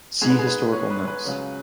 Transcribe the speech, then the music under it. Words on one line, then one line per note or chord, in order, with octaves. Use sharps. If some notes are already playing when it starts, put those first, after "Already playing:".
See historical notes.
G#2 G#3 B3 G#4
B4
G#4
B4
C#5
B4
B4
C#2 C#3 F#3